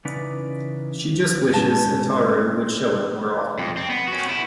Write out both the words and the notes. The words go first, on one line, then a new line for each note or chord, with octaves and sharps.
She just wishes Ataru would show it more often.
C#3 E3 C#4 D#4 B4 D5
G#2 D#3 C#4 A5
F2
C4
B3
C#4 F#4
B3 E4